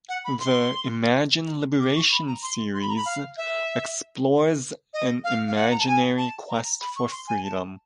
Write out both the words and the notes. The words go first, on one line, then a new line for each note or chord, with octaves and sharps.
The "Imagine Liberation" series explores an imaginary quest for freedom.
F#5
B5
C6
D6
C#6
B5
A#5
C6
C6
B5
A#5
B5
F5
E5
D#5
F5
F5
F#5
A#5
A5
G#5
A5
A#5
B5
C#6
C6
G#5
A5